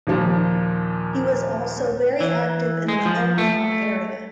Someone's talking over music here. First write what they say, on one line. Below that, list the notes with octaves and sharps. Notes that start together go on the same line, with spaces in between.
He was also very active in the Omaha area.
D#2 A#2 F3
E3
G#3
F3
A3